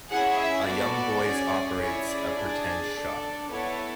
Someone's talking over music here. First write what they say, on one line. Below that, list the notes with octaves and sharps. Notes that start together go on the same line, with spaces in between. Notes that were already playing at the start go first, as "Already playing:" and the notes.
A young boys operates a pretend shop.
C#4 E4 G#4 F#5
E5
B3 F#4 A4 D5
C#4 G#4
C#4 E4 G#4 C#5
D5
D4 G#4
D4 A4
B3 E4 A4 C#5